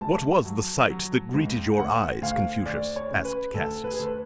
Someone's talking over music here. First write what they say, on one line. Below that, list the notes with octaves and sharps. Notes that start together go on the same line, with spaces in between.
"What was the sight that greeted your eyes, Confucius?" asked Cassius.
C#2 A5
F#3
F#3
C#2
D2 F#5
D2 F5
D2 D5
C#5
C#3
B4
D2 A4
B4
G#4
D2 A4
B4